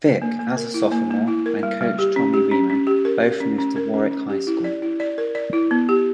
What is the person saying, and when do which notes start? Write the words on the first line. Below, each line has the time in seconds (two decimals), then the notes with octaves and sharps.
Vick, as a sophomore, and coach Tommy Reamon both moved to Warwick High School.
0.22 A#3
0.39 A#3
0.57 A#4
0.74 E4
0.92 A#3
1.11 A#3
1.28 E4
1.46 A#4
1.63 G3
1.81 G3
1.99 G4
2.16 C#4
2.34 G4
2.51 C#4
2.70 C#4
2.87 G4
3.05 A#4
3.22 A#4
3.41 C#4
3.58 C#4
3.76 A#4
3.94 C#4
4.11 C#4
4.29 G4
4.47 E4
4.64 D5
4.82 E4
5.00 D5
5.18 A#4
5.35 D5
5.53 E4
5.71 B3
5.89 G4